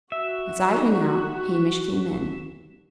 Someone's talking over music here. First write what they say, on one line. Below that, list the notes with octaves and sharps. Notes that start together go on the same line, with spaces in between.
As I went out, Hamish came in.
F#4 E5
G3 D#4